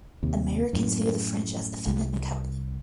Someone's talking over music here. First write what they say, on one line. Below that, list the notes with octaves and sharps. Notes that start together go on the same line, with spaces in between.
Americans view the French as effeminate and cowardly.
D#2 C3
F#2 A2
C2